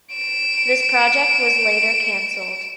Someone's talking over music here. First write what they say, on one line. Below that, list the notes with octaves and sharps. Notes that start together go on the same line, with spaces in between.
This project was later cancelled.
D7 E7